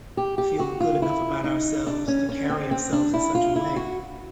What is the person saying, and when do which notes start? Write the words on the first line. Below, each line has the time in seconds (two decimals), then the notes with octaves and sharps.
feel good enough about ourselves to carry ourselves in such a way.
0.17 G4
0.38 G4
0.59 F#4
0.80 F4
1.02 E4
1.44 D#4
1.87 D4
2.08 C#4
2.29 C#4
2.50 C4
2.71 C4
2.93 D4
3.14 E4
3.35 F4
3.56 E4
3.76 F#4